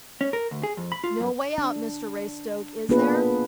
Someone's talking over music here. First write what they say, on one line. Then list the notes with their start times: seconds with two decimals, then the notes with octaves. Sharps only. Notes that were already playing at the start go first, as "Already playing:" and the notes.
"No way out, Mr Raystoke, is there?"
0.21 C#4
0.33 A#4
0.51 D2
0.63 G#4
0.77 F2
0.92 B5
1.04 F4
1.20 F#2
1.58 D4
2.89 A#3 B3 D4 F4 G#4 B4